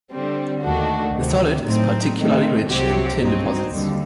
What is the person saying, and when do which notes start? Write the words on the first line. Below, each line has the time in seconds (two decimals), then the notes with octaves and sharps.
The solid is particularly rich in tin deposits.
0.11 D3 G3 C4
0.62 D#2 D#3 A3 D4 F#4
1.14 D2 C3 D#3
1.65 A2 F#3 A3 C4 D#4
2.16 D#3 A3 C4
2.67 C2 C3 F#3 C4 G4
3.19 G2 F#3 C4 D#4
3.70 D#2 D3 G3